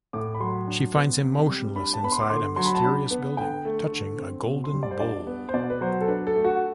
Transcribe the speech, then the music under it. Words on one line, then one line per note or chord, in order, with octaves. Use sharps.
She finds him motionless inside a mysterious building, touching a golden bowl.
A2 D6
B5
F#3 C6
D4
B3
C3
G3
D4 B5
A5
B3 B5
C6
D6
D3 C6
F#3 C6
B5
A5
D4 B5
B3
D3 G5
A3
D3
C4
B2
C6
G3
D5
C5
D4 D5
B3
C5
B2 D5
B4
F#3 C5
A4
D4 B4
A4
A3
F#4